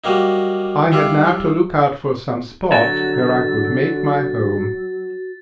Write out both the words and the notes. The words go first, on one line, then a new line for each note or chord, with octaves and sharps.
I had now to look out for some spot where I could make my home.
F#3 G3 A#3 D#4
G3 E4 F4 G4
D3 F#3 F#4 A6